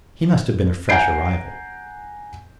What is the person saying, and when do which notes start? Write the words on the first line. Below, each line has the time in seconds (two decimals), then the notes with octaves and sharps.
He must have been a fresh arrival.
0.89 F#5 G#5 A#5 G6 C7 D7